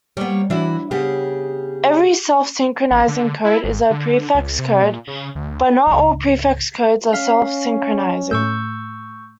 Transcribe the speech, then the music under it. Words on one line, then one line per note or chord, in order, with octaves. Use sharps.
Every self-synchronizing code is a prefix code, but not all prefix codes are self-synchronizing.
G3 A#3 B3 C#5
E3 D4 E4 F#4
C#3 B3 G4 G#4
A1
D3
E4
G#1
D3
C#2
C3
A#2
C#3
D2
C#2 G#2
C#4 F5 F6 B6
A2 A3 C#6 E6 G6